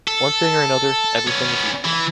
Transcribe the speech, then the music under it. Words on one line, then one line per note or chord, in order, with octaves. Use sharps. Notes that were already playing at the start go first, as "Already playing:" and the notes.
One thing or another, everything is useful.
A4
B3 C#4
E3